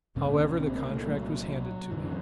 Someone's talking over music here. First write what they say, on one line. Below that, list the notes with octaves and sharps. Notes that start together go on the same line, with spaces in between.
However, the contract was handed to me.
C2 A#2 C#4
C4
A#3
A3
F#3
F#2 D3 E3